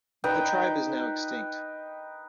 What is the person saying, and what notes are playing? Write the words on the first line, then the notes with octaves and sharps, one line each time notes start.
The tribe is now extinct.
D#4 B4 G5